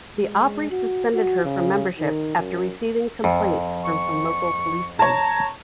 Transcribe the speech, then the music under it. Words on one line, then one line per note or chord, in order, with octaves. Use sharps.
The Opry suspended her from membership after receiving complaints from some local policemen.
G#3
F#4
F#4
C#3
D#3
F#2
F2
C#6
C#5 A5 A#5